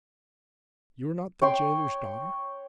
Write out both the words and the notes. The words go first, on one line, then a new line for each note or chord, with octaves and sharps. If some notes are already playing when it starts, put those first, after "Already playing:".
"You are not the gaoler's daughter?"
C#5 G5 C6 D6